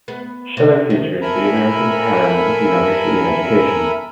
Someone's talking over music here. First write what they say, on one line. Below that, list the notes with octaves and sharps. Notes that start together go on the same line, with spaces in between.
Schiller features the American pattern of university education.
B3
C3
D#3
A4 A#4 E5 G#5 A#5 B5